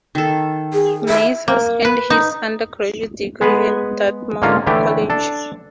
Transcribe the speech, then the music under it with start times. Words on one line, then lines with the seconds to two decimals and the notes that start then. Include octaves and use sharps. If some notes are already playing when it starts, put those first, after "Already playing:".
Nasser earned his undergraduate degree at Dartmouth College.
0.15 D#3 A4
0.73 G#4
1.09 E5
1.48 A#3
1.85 B4
2.10 D#4
3.41 G#3 B3 G#4 B4
4.42 G#2 D3 A#3 C#4 F4
4.66 A2 D3 E3 A3 G4
5.10 D4 A4